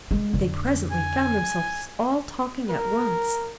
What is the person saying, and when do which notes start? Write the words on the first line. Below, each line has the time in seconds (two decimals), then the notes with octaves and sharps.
They presently found themselves all talking at once.
0.11 G#3
0.33 F2 D3
0.92 G#5
2.70 A#4